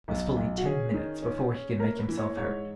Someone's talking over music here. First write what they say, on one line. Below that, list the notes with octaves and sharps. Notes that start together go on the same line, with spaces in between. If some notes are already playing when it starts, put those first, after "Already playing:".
It was fully ten minutes before he could make himself heard.
B1
B1
F#4
C#4 G#4
D#3
C#4
C#4
A#3 A#4
B4
E3
C#5
G#2 C#5